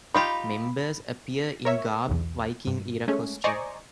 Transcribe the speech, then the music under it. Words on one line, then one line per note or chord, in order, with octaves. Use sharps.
Members appear in "garb" - Viking-era costume.
D#4 F4 G4 B5
A#4 C#5 E5
B1 E2
G2
G#3 A3 C#4
C5 D5 D#5 G#5 A#5 C#6